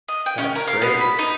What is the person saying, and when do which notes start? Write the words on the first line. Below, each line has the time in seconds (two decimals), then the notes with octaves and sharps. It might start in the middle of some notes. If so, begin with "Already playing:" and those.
That's great.
0.08 D#5
0.26 G5
0.38 C#4
0.55 A#4
0.68 F5
0.82 B3
1.01 B5
1.19 D#4